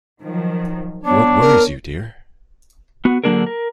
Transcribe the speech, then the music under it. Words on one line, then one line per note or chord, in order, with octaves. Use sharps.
What worries you, dear?
D#3 F3 F#3
B3 D4 C#5
A#4
B3 F#4
D3 F#3 A#3 D4 G#4 A#4
A#4